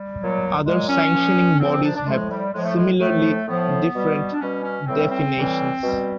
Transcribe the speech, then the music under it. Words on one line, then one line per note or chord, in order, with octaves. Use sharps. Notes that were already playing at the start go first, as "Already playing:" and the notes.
Other sanctioning bodies have similarly different definitions.
Already playing: G3
A#2 F#3
A#2 F#3 G#3
C#4
A#2 F3
A#2 F3 C4
C4
D4
D4
A2 F3 G#3
G3
A2 F3 G#3
A3
G#3
A2 F3 A3
A2 F3 B3
B2 G3
D4
B2 G3 C#4
C#4
A2 E3 G3 C4
C4
A2 E3 G3
B2 G3